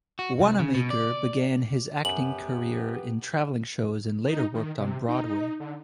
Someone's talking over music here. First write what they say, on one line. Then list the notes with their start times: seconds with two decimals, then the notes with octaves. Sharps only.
Wanamaker began his acting career in traveling shows and later worked on Broadway.
0.19 F#4
0.40 C2
0.59 C#3
0.75 B2
0.90 D5
2.05 F#2 B3 G4 F#7
4.28 D#4
4.54 D#3
4.80 C3
5.08 D#4
5.60 D3